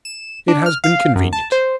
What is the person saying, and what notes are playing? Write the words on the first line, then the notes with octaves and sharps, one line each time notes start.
It has been convenient.
E7
D4
F6
F5
F#2
A5
C5